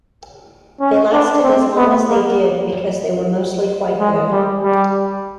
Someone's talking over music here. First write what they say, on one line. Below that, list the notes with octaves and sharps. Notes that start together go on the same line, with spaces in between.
They lasted as long as they did because they were mostly quite good.
C#4
D4
C4
B3
A#3
G#3
G3
G3